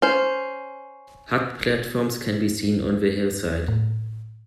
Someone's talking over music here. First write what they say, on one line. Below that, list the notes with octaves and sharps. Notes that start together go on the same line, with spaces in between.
Hut platforms can be seen on the hillside.
C#4 C5
A2